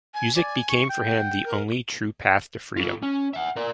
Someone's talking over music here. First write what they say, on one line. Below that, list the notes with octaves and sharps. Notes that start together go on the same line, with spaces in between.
Music became for him the only true path to freedom.
G#5
D5 G#5
C#6
G5
F#5
A#4
F4 A4
C#4
E5 F#5
A#4 D5